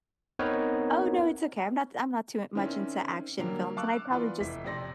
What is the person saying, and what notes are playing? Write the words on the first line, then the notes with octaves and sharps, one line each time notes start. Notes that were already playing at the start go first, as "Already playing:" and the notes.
Oh, no, it's okay. I'm not I'm not too much into action films, and I'd probably just
B3 C4 D#4 A#4 B4 C#5
D#3 C4 C#4 E4 D5
D3 F#3 G3 A#3
F5 A5 C#6 D6 E6 F#6
E3 B3 F4 B4 D5
F1 E4 B6
F2 A2 C3 D5 C6 A#6